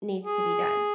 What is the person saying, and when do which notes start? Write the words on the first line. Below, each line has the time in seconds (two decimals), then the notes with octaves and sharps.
needs to be done.
0.24 G#4